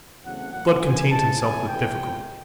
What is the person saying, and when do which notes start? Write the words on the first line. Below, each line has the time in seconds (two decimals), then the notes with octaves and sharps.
Blood contained himself with difficulty.
0.24 E2 C#3 F#3 A3 C4 F#5
0.52 A2 F#3 A#3 F#5
0.81 F#2 C#3 F3 G#3 G#5
1.10 F2 C3 E3 A3 C4 A5
1.38 C3 F3 A3 C4 G#5
1.67 C3 E3 A3 G5
1.96 C3 F3 G#3 B3